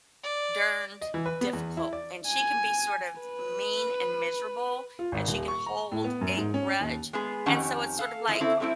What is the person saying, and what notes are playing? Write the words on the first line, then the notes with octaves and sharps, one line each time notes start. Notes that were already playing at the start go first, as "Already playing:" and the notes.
darned difficult, and she can be sort of mean and miserable, and she can hold a grudge, and so it's sort of like,
D5
D#5
E3
B4
B3
E2
E4
D5
G#5
B4
F4
G#1
D#1
C#6
A#5
A2
B3
F#2
G#2
C#4
D#2
G#3 B3 G#4
F2 D#3 C#4 G4 F#5 A5
A4 F5
F2 F3 B3 E4
C#3 C4 E4 A4
G3 A3 C4 D#4 E4